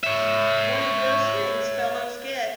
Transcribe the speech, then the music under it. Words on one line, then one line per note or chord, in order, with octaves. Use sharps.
One of those things fellows get.
C#5 E5